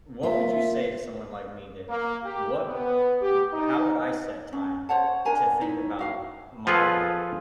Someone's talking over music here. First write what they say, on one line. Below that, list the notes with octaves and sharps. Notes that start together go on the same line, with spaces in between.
What would you say to someone like me that what eh how would I set time to think about my life,
A#3 F4 E5
A#3
G4
B3
G4
D#4
C#4
C5 C#5 F#5 A5
D4 A#4 G#5 A#5
D#4 E4 C#5
F#4 F5
F3 F4 G#4 A4 B4 F5